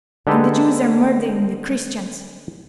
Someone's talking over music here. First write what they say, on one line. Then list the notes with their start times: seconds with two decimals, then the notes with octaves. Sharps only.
'And the Jews are murdering the Christians.'
0.27 D3 G#3 D#4 G4 A4 B4